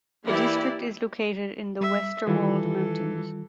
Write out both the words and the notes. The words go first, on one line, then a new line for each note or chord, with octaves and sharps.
The district is located in the Westerwald mountains.
E3 A#3 E4 G4 D5
G3 E5
D#3 E3 G3 F4 A4